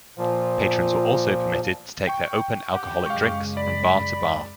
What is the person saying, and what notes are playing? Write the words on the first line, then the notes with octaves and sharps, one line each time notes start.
Patrons were also permitted to take their open alcoholic drinks from bar to bar.
A#2 F3
G5 C#6
G4 F#5
F#2 C#3 G#3 F5 C#6
D5 B5